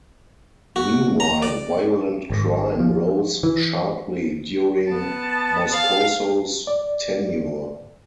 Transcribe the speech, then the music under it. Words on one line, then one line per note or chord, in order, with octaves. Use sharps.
Meanwhile, violent crime rose sharply during Moscoso's tenure.
F#4
A#5
D5
G#1
F3
E3
B3 A5
F5
D5